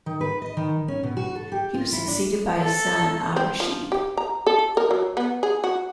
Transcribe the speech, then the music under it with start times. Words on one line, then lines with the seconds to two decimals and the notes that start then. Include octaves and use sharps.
He was succeeded by his son Al-Rashid.
0.06 D#3
0.21 B4
0.42 D#5
0.57 D#3
0.88 C#4
1.03 B2
1.17 F#4
1.35 A4
1.52 G4
1.74 F4
1.92 E4
2.08 D4
2.62 A4
3.36 C4
3.60 F3
3.92 G4
4.17 A#5
4.47 A4
4.77 A#4
4.91 F#3
5.17 B3
5.43 G#4
5.64 F#4